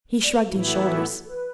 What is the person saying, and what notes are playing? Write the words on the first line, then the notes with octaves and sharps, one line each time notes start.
He shrugged his shoulders.
D5
B4
A4
A2 E3 B3 E4 F#4
F#4
A4
B4